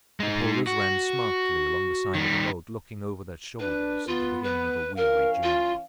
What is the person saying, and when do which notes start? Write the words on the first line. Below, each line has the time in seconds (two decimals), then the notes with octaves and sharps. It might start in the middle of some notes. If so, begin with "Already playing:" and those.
The polers ran smartly along the sides of the boat, looking over their shoulders at the beginning of a weary journey.
0.20 G#3 D#4
0.67 F#4
2.14 D#3 G3
3.60 D4 B4
4.07 B3 F4
4.44 B4
4.97 E3 C#4 A#4 F5
5.43 F4